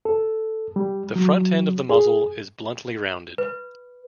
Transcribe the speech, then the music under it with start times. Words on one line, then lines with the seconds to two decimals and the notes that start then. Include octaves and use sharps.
The front end of the muzzle is bluntly rounded.
0.05 A4
0.76 G3
1.16 F#3
1.89 G#4
3.38 B4